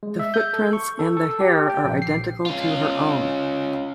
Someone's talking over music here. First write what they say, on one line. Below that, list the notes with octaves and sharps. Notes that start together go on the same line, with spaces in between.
The footprints and the hair are identical to her own.
G#3
E5
G6
A4
C#6
A4
A4
G4
G5
A#1
C7
C#4 F4